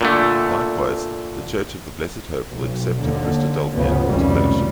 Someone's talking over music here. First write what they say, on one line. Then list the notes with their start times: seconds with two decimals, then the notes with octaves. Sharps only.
Likewise, the Church of the Blessed Hope will accept a Christadelphian into fellowship.
0.01 A#2 D3 A3
2.49 B1
2.99 D#2 D3
3.73 G1 D2 C#3 F3 B3
4.06 F1 C#2 B2 D#3 G3 C#4